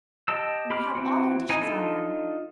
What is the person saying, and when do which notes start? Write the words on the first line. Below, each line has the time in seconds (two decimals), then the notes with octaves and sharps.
And we have all our dishes on them.
0.28 G4 D#5 A5 E6
0.70 G4 B5 C6 D6 F6
0.95 E3 C4 F#4
1.49 E3 D#4 G#5
1.61 D4 D#4 F4 A4